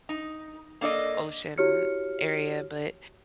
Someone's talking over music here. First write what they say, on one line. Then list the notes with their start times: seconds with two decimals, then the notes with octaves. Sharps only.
ocean area, but
0.09 D#4
0.81 A#3 D4 A4 D5 D#5
1.58 E4 F#4 G4 C#5 F6 C#7